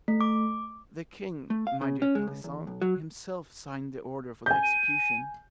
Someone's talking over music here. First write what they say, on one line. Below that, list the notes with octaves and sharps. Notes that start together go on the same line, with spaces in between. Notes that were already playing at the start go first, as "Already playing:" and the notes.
"The king, my dear Pelisson, himself signed the order for the execution."
A3
D6
A3
F5
C#3
C#4
G#3
C#2
E2
B1
F#3
G#5 G6
D#7